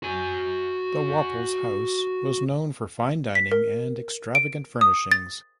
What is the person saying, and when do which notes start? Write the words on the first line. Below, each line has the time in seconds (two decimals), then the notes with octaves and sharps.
The Waples House was known for fine dining and extravagant furnishings.
0.03 F#4 G#5
3.35 B6
3.52 A#4
4.35 D7
4.81 D#6
5.11 A6